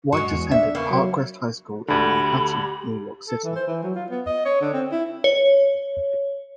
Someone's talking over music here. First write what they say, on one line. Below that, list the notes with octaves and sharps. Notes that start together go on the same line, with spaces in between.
White attended Park West High School in Manhattan, New York City.
G2 G#3 F#4
E2
D4 E5
C#3 A#3 B3
F#3
D2 D3 G4 B5
A4
E3
C5
E3
F#3
F4
B3
D#5
C#5
D3
C4
E4
C#5